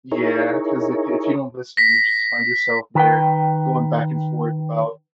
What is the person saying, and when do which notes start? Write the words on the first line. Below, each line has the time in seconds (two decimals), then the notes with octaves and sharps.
Yeah, 'cause if you if you don't listen, you just find yourself there going back and forth about
0.12 D#4 E4 G#4 A#4 C#5
1.77 A#6 B6
2.95 D#3 B4 G5